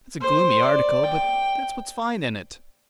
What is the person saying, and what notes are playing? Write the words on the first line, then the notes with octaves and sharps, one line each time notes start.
It's a gloomy article, but that's what's fine in it.
C5
D5
G5